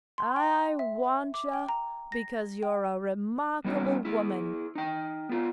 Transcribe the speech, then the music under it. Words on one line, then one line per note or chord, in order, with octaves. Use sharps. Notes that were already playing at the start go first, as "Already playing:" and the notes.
I want yah because you're a remarkable woman.
C6
G5
E5
D6
G5
A#5
A#6
G5
G3 B3 C#4 D#4 F#4
E4 G#4
D#4 G5
B3 F4